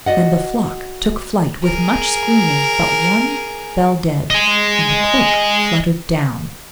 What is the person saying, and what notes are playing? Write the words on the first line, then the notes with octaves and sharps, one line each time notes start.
Then the flock took flight with much screaming, but one fell dead, and the cloak fluttered down.
F#4 D5 D#5 F#5
G#4 A#4
D#5 G#5